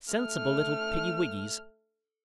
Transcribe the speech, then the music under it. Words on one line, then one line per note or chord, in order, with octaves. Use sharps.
Sensible little piggywiggys.
A3 F6